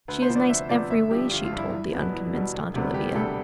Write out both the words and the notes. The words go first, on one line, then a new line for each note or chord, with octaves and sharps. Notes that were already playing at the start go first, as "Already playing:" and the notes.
"She is nice every way," she told the unconvinced Aunt Olivia.
D2 B4
C5
C3 F3 B3
D5
D2 E5
C3 F3 B3 D5
G1 E5
G2 F3 G4
G1 F4
F4
G2 F3
E4
E2
B2 G3 B3
E2
B2 G3 B3
E1
D2 C3 G3 B3
E1 G4
D2 C3 G3 B3 A4